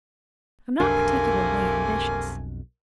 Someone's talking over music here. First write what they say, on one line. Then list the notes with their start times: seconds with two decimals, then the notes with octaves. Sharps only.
I'm not particularly ambitious.
0.80 B1 F2 C3 A3 A#3 D4 A#4 G#5